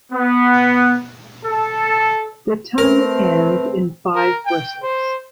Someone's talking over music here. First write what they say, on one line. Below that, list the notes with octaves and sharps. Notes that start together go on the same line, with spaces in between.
The tongue ends in five bristles.
B3
A4
A3 C4 A#4 B4
A#4
G5
C5